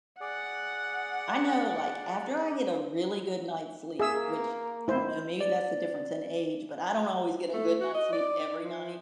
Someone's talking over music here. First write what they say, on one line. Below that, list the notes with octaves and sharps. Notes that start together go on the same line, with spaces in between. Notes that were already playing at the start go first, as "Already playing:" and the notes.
I know, like, after I get a really good night's sleep, which I don't know, maybe that's the difference in age, but I don't always get a good night's sleep every night,
G#4 D5 F#5
A#3 G#4 E5 E6
D#3 E4 C5
D5
A3
F#4
D#5
D5
D5
F3